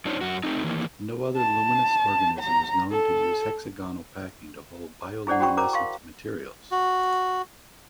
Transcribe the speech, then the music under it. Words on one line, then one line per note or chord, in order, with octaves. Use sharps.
No other luminous organism is known to use hexagonal packing to hold bioluminescent materials.
F#2 D4 D#4 C5 C#5
F#2 F#4
A3 C4 D#4
D#3 E3 A#3
A5
A#5
A4
E4 G#4 C5 D5 F#5
F#4 C5 G5 B5 C#6
A#4 C5 A#5 D6
F5 C6 C#6
F#4